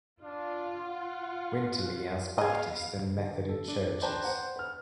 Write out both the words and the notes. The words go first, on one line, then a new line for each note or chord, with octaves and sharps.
Winterley has Baptist and Methodist Churches.
D4 F4
F#5
B3 G#4 D#5 F5
D3
A4
D4
B4 C5 D5 G5 A5 A#5
C5 F#5
B4 F6